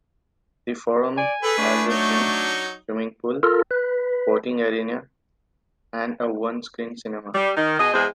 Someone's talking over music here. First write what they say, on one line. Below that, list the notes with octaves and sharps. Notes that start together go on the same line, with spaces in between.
The forum has a gym, swimming-pool, sporting arena and a one screen cinema.
D5 G#5
G#4 A4 B4
A3 D4
F#3 D#4 C#5
F4 A4 A#4
B4
G3
D#3
B2 G#4 D#5
E2 G#3 G#4 C5